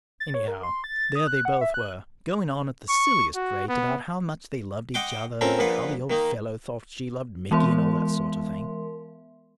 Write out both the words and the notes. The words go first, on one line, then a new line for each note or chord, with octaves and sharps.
Anyhow, there they both were, going on at the silliest rate about how much they loved each other and how the Old Fellow thought she loved Micky and all that sort of thing.
A6
C#5
A#4
C6
A6
A6
D#6
F#6
F#5
E5
F#6
C#6
F#4
B3
D#5 F#5 G5 C6 D6
C4 C#4 F4 A4 A#4
A#1 A#2 F4 B4 F#5
D#3 A#3 D#4
E3 G#3 B3 A#4 E5 C6